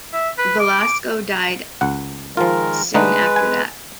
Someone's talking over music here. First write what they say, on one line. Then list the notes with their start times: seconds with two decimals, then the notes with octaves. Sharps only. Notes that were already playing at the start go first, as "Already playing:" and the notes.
Velasco died soon after that.
0.14 E5
0.38 B4
0.59 D6
0.81 D6
1.81 C#2 F#5
2.37 D#3 F3 G#3 F4 A#4
2.94 D3 G#3 A3 D#4 B4
3.36 G#5